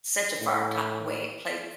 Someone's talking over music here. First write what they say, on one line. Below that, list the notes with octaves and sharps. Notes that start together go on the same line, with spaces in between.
such a far top way place.
A2